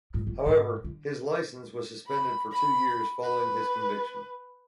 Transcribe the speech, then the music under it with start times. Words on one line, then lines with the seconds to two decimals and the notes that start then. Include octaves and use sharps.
However, his license was suspended for two years following his conviction.
0.14 G#2
0.27 F1
0.46 G#2
0.84 D3
2.05 B5
2.50 B5
3.22 B4